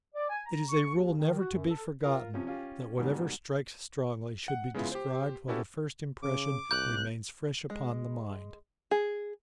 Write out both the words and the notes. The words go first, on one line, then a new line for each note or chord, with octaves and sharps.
It is a rule never to be forgotten, that whatever strikes strongly, should be described while the first impression remains fresh upon the mind.
D5
G#5
A#5
C#6
D#2
D#3
F#4
F#2
A4
F4 A#4
C3 F3 C#4
C#4 F4 G4
G#2 B2 D#3 G3
F#5
C#3 G#3 B3 E4 F4
G4 C5
B3 C#4 E4 F#4 G4 A4
C#3 D6
C2 F#6 G6
G#3
G#4